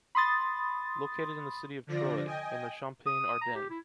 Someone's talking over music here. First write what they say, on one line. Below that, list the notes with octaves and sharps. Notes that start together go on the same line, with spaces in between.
Located in the city of Troyes, in the Champagne-Ardenne.
B5 C6 D#6 A6
D3 F3 D5 A#6
D#5 G5 G#5
D#6
A#5
G4
E4